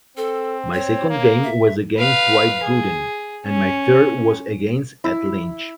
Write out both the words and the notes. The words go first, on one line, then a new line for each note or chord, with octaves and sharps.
My second game was against Dwight Gooden, and my third was against Ed Lynch.
C4 A4
C#5
A#3
E5
B4 F5
G#4
C#4
E4